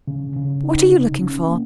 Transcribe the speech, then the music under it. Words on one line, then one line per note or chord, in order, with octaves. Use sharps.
What are you looking for?
C#3
C#3
D#4
C3
C#4
A#3